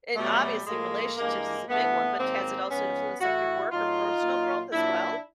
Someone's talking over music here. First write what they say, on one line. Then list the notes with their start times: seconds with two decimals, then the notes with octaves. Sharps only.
and, obviously, relationships is a big one, but t has it also influenced, like, your work or personal growth as well?
0.16 B2 F#3 G3 A3
0.67 A2 F3 G#3 A#3
1.17 G2 E3 G#3 A#3
1.68 G2 E3 A3 B3
2.18 G#2 D#3 F#3 A#3 C4
2.69 G#2 F3 B3 C#4
3.20 A2 E3 E4 F#4
3.71 A2 F#3 D#4 F4
4.22 A#2 F#3
4.72 A#2 F#3 D4 E4